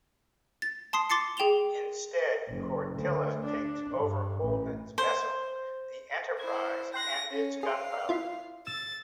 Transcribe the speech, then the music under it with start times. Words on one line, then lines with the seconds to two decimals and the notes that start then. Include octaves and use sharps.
Instead, Cortilla takes over Holden's vessel, the "Enterprise", and its gunpowder.
0.62 A6
0.93 A5 C6 D#6 C7
1.10 C6 D6 A6 C7 C#7
1.37 G#4 G5 E7 F7 G7
2.48 F#1
2.95 D2
3.45 D4
3.95 G2
4.41 A1
4.98 C5
6.39 E4 C5 G#6
6.94 G5 C6 F#6 A#6
7.31 C#4
7.63 G#4 C5 F5
8.09 E4 F4
8.67 E6 A6